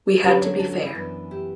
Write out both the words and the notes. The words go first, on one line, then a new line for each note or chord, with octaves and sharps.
We had to be fair.
D3 F#3 C#4 G4 B4
A4 C#5
F#4 A4
F#4
E4
F#2 E3 B3 D4
E4 G4